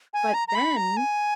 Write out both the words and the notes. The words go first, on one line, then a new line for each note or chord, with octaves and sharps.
But then,
G#5
A#5
A#5
B5
A#5
G#5